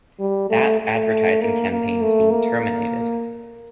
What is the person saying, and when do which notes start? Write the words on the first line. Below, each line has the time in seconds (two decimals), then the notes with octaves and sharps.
That advertising campaign is being terminated.
0.20 G3
0.50 A3
0.80 A3
1.42 A#3
1.72 A#3
2.03 A3
2.32 A#3